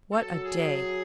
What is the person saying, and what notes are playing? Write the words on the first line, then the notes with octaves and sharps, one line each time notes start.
What a day!
F#3 A4
G#4